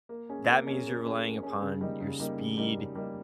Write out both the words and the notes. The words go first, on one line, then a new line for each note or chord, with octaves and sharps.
that means you're relying upon your speed,
A#3
C#4 G#4
A#3
C#4 G#4
A#3
C#4 G#4
A#3
C#4 G#4
C#3
G3 A#3 D#4
C#3
G3 A#3 D#4
C#3
G3 A#3 D#4
C#3
G3 A#3 D#4